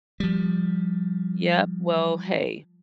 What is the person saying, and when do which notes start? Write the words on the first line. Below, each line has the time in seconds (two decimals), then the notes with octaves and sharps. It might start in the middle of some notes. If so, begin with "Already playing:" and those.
Yup, well hey,
0.20 F3 G3